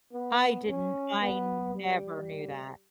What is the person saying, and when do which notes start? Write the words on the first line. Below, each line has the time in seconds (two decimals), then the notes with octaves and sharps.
I didn't I never knew that.
0.13 B3
0.67 C#4
1.21 B3
1.75 G3